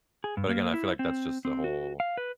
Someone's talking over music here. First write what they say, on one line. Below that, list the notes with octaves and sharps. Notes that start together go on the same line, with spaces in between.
But, again, I feel like that's just the whole
G#4
G2
A#3
E4
C4
C4
F#4
F5
B4